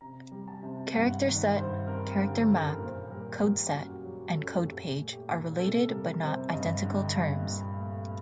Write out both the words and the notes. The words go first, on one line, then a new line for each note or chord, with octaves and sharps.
"Character set", "character map", "codeset" and "code page" are related, but not identical, terms.
C3 A#5
G3
A5
C3
G2 F#5
D#3 D5
G2 C5
C4 A#4
G4
D3
A4
F#2
A#4
A#2 C5
G3 A#4
A#2 G4
F#2 F#4
F#3 G4
F#2 A4
A#2 G4
A3
G4
A#2
C3 A4
G3 A#4
C3 C5
G2 D#5
D3
G5
G2
A#2
A3